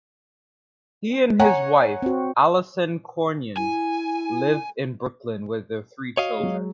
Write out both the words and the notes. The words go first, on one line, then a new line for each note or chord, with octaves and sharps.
He and his wife, Alison Cornyn, live in Brooklyn with their three children.
C#5 F#5 G#5 A#5
C4 F#4
E4 G#5
F#4 C#5 D#5 F5
F#3 G#3